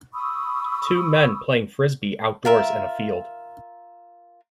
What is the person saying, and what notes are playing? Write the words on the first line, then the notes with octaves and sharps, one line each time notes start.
Two men playing frisbee outdoors in a field.
B5 C#6 D#6 E6
F4 A#4 E5